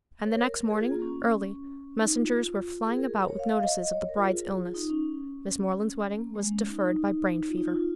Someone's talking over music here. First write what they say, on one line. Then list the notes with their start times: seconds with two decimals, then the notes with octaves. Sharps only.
And the next morning, early, messengers were flying about with notices of the bride's illness.--Miss Moreland's wedding was deferred by brain fever.
0.26 C#5
0.37 A#4
0.70 G#4
0.81 F4
0.92 A#3
1.02 C#4
1.99 D#4
2.15 F4
2.86 G#4
2.97 A#4
3.28 C#5
3.39 F5
3.50 F5
3.61 D#5
3.93 C#5
4.09 A#4
4.17 F4
4.25 G#4
4.57 F4
4.74 D#4
4.90 C#4
6.19 A#3
6.35 G#3
6.51 C#4
6.68 D#4
7.49 F4
7.57 D#4
7.67 F4